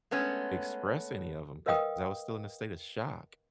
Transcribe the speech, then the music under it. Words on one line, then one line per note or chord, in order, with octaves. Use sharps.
express any of them 'cause I was still in a state of shock.
G#3 A3 B3 C#4
A#4 B4 D#5 F5 G5 D#6